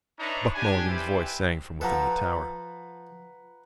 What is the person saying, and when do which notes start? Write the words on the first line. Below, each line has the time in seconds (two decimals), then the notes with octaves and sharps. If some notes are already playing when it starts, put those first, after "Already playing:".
Buck Mulligan's voice sang from within the tower.
0.19 D4 D#4 B4 C#5 E5 A#5
0.55 D4 G4 G#5
0.88 G3 E4 G4 B4 C5 G#5
1.81 F3 A4 B4 F#5 A#5